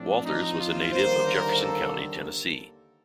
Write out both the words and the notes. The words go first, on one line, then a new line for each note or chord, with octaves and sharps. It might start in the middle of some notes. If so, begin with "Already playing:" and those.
Walters was a native of Jefferson County, Tennessee.
Already playing: A2 F3 C4 D4
D#4
F4
D#2 D3 G3 A#3 C5
A#4
A4